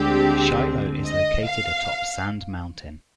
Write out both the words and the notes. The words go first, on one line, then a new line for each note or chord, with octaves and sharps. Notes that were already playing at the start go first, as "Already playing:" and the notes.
Shiloh is located atop Sand Mountain.
Already playing: D2 D3 G#3 C4 G4
D#5
F5